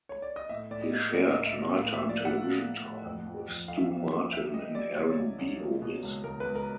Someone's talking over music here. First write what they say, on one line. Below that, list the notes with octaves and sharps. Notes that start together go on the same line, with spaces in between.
He shared night-time television time with Stu Martin in airing B movies.
C#5
D5
D#5
A2 E5
A2 D5
D#5
A#3
A#3 D5
D#5
A2
E5
A#3
A2 F5
E5
F3
D5
A#3
F#5
A2
A#3
A2
F2
F3
F2
F2 F5
E5
F5
F3
A#3
G3 E5
E5
G3 D#5
G3 D5
C2 C#5
C2
C2
A#3
B2
C#2
C#2 A#4
B4
C#2
A#4